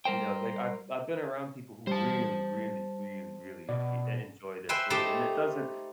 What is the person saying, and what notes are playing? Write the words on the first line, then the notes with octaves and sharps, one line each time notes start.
you know? Like, I've I've been around people who really, really, really, really enpe e enjoy their food, and it doesn't
G3 A#4 C5 G5
G3 C5 A5
B2 D5
B4 C5 E5 G5 G#5
A3 D#4 G4 C5 G5 A5